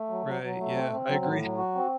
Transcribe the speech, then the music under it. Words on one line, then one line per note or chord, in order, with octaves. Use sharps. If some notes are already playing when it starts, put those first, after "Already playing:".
Right. Yeah, I agree.
Already playing: A3
F#3
F#3
F#3
A3
C4
C4
F#3
A2
F#3
F#4
C4